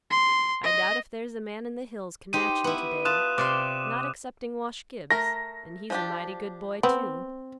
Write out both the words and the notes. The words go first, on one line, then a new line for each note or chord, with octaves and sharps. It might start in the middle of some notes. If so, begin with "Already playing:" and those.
I doubt if there's a man in the hills can match him to-day; not excepting Wash Gibbs; an' he's a mighty good boy, too.
C6
D#5
D#4 G4 C5 D#7
B3 E4
F4 A5 D#6 F#6 E7
C3 D5 C6 D6
A3 A#4 A#6
F3 D4 G4
B3 C4